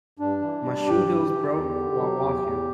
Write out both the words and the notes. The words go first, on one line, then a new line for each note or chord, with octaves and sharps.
My shoe heels broke while walking.
G2 D4
E3
G3
G2 G4
G2
E3
E2
D3
F#3
E2
E2